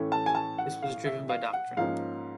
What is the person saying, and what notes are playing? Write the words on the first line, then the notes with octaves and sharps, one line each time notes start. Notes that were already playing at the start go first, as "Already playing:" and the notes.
This was driven by doctrine.
Already playing: A2 E3 A3 C#4
A5
G#5
A5
F#5
F5
E5
F5
F#5
G#2 F3 A#3 C#4 F5